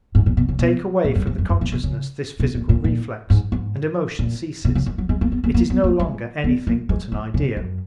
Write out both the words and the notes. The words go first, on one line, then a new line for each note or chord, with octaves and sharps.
Take away from the consciousness this physical reflex, and emotion ceases. It is no longer anything but an idea.
G#2
A#2
B2
C#3
B2
A#2
F#2
G#2
F#2
F#2
A#2
B2
C#3
B2
A#2
A#2
A#2
G#2
G#2
A#2
B2
C#3
D#3
F#3
G#3
A#3
B3
A#3
A#3
B3
A#3
G#3
B3
A#3
G#3
E3
C#3
F#2